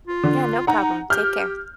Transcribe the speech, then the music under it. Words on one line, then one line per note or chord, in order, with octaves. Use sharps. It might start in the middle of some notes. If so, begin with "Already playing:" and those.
Yeah, no problem, take care.
F4
D3
D#4 F#5 A#5
G4 F6 G6